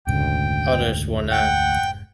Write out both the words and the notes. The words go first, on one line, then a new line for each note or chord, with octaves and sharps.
Others were not.
F1 D2 G#2 C#3 G5
F#5 G5